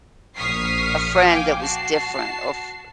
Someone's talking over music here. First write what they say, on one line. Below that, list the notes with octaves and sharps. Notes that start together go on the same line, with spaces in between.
a friend that was different or f
A#1 C#6 D#6 F6 B6 C7
F5 G5 G#5 D6
F#4 A5 C7